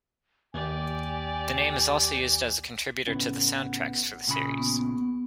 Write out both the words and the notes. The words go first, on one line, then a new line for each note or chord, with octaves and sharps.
The name is also used as a contributor to the soundtracks for the series.
D#2 G4 D5 G#5
A2 C#3 B3 C#4 F#5
A#2 C#3 B5
B3